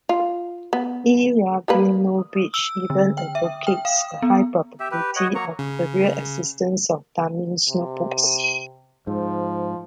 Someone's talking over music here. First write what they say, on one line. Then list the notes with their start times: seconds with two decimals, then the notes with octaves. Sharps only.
E. Rabinovitch even advocates a high probability of the real existence of Damis' notebooks.
0.09 F4
0.73 B3
1.68 G3 A#3 B4
2.54 E6
2.90 D3
3.18 G5
3.35 E5
3.67 G5
3.85 F5
4.22 B3
4.80 G4 E5
4.91 G4 B4
5.16 C#5 D#5 F#5
5.35 F#3 A#3 A#5 C#6
5.59 C#3
7.69 C3
9.07 G#2 F3